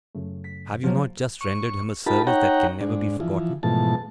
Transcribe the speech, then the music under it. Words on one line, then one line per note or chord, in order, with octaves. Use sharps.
"Have you not just rendered him a service that can never be forgotten?"
F#2 C#3 A3
B6
C#3 F3 F#3 A#3 C#4
C#6
D#4 F4 G4 A#4 A5 B5
D#4 C#5 F#5 G5 A#5
G#2 D4
E3 F3
G#2 B2 E3 F3 A3 A5